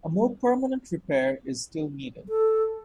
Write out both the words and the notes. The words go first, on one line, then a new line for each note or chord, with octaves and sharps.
A more permanent repair is still needed.
A4